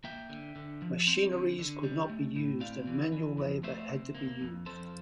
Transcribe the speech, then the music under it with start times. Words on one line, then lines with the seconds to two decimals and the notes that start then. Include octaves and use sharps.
Machineries could not be used and manual labor had to be used.
0.04 A#3 E5 G5
0.30 D3
0.56 D3
0.82 F3
1.07 C4
1.32 D3
1.59 D3
1.83 G3
2.10 A3
2.36 A2
2.60 C4 D5 F5
2.87 E3
3.12 E3
3.38 F2
3.63 A3 C5 E5
3.89 C3
4.15 A#3
4.41 F2
4.66 F2 A4 C5